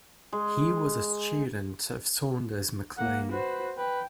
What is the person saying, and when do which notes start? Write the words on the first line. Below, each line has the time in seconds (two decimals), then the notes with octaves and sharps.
He was a student of Saunders Mac Lane.
0.32 G#3
2.98 A#3 F#5
3.32 F#4 B4 C5
3.77 B4 G5